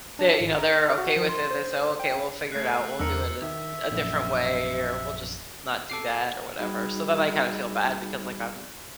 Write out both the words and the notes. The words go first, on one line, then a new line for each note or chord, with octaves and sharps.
they you know, they're okay with it, they say, "Okay, we'll figure it out. We'll do it a a different way or we'll just not do that or whatever." So, then I kinda feel bad because, like, I'm
D4
G#1
A#5
F6
F#4
F3
C6
C5
G5
A3 F#6 C7
E2 D3 A#4 E6 C#7
D#3 E5
A#1 F#2
A4 D6 C7
G3 D#4 F#4 G#4 D#5 B5